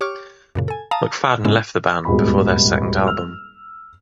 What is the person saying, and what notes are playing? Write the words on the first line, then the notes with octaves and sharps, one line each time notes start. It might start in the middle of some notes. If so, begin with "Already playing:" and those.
McFadden left the band before their second album.
G4 C#5 C#6 D6 F6
F#2 A#2 C#3
A4 G#5
F5 A5 A#5 D#6
A2 C#3 G#3 B3 C#4 E4
D#1 G#1 E2 F#4 G#4 B5
E6 F6 F7